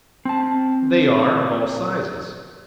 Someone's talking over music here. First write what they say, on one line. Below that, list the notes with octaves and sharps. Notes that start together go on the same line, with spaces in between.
They are of all sizes.
C4 A5